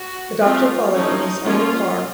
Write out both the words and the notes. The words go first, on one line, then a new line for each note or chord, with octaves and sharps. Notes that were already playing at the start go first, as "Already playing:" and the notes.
The doctor followed in his own car.
Already playing: F#4
F3 A3 C4 F4
F3 A3 C#4 D#4
F3 A#3 C#4 F4